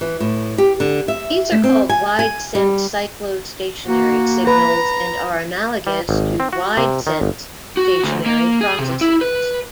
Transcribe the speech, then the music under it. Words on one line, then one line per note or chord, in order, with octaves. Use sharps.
These are called wide-sense cyclostationary signals, and are analogous to wide-sense stationary processes.
E3
A2
G4
D3
E5
A3
C4
G#5
G#5
G3
A#3 F#4
B4 A#5
G3
G#1
C4
F#4
C3
D#3
G1
F#4
D2
A#3
G#4
C3
E4
B4